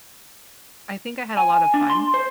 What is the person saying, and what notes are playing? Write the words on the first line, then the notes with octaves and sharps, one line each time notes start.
I think I had a lot of fun
G#5
D4
C6
C5